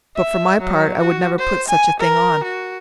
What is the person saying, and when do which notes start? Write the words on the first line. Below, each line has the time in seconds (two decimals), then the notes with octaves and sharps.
But, for my part, I would never put such a thing on.
0.16 E5
0.61 F#3
1.01 F#4
1.39 C5
1.68 G#5
1.99 A#4
2.44 F#4